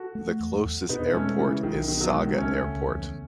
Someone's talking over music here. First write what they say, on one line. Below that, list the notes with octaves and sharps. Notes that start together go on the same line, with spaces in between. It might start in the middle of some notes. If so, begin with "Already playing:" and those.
The closest airport is Saga Airport.
Already playing: F#4 A4
A3
E2
E2
B2 B3 D#4
G#3 A3 C#4
C#3 E3 C#4
B1 D#3
B2 D#3
D#3 F#3
G#3
D#3 F#3
C#2 A3 C#4
C#2
E2